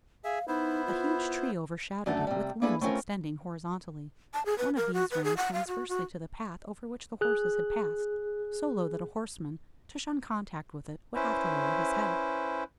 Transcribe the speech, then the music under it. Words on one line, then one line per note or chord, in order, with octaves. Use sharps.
A huge tree overshadowed it, with limbs extending horizontally. One of these ran transversely to the path over which the horses had passed--so low that a horseman, to shun contact with it, would have to lower his head.
G#4 E5 F5
B3 D#4 E4 C5
F4
F#2 D3 A3 A4 A5
C3 G3
A#3 D4 E4 G#4 A4 B4
A3 C4 C#4 F4 A#4
A5
G#4
B4
A#4
F#4
B4
G#4
F#5
F5
F#4
F#4
G#4 F#6
C#4 E4 B4 C5